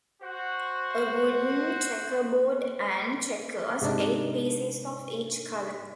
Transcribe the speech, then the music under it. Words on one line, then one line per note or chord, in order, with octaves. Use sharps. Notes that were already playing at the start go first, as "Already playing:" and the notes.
A wooden checkerboard and checkers, eight pieces of each colour.
F#4 C5
G#2 C3 D4 D#4